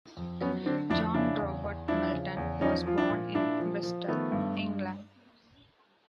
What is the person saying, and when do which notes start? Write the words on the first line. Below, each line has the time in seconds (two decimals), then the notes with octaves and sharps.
John Robert Milton was born in Bristol, England.
0.17 F2
0.41 F#3 B3 C#4
0.66 D3 C4 D4
0.90 F2 D4 E4
1.14 C#3 D4 E4
1.39 E2
1.63 E2
1.88 F3 D4 E4
2.13 C#3
2.37 E2
2.61 F3 C#4 D#4
2.86 F3 F4
2.98 D4 E4
3.10 A#2
3.35 A#2 D4 E4
3.60 F3
3.83 F3
4.08 D#3 A3 B3
4.32 G2
4.56 G2